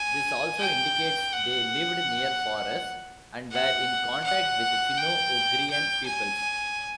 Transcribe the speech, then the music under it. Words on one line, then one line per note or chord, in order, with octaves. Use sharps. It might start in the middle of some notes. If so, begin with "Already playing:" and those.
This also indicates they lived near forests and were in contact with Finno-Ugrian peoples.
Already playing: G#5
G5
F#5
F#5
F#5
G5
G5
G#5